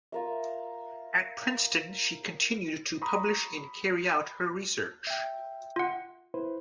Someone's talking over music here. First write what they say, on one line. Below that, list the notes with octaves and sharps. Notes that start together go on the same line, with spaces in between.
At Princeton she continued to publish and carry out her research.
F4 A#4 E5
A#5 B5 C#6 D#6
E5 G5
F4 F#5
E4 B4 C5